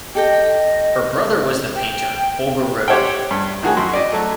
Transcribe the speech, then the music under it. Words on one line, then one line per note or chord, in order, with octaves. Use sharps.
Her brother was the painter Holger Roed.
G4 A4 D#5 G5
G5
G4 C5 C#5 E5 F#5 G5
G2
A2 D#3 F#4 G#4
F#2 F#4 C6
D5 D#5
F#3 A3